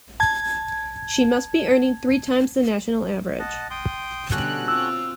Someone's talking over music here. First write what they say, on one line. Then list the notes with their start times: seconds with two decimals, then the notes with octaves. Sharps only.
She must be earning three times the national average.
0.20 A5 G#6
3.39 D#5 F#5 A5
3.71 G5 C6 D#6
4.31 B2 D3 G3 C#4 F#4 A4 F#6
4.68 C4 F4 E6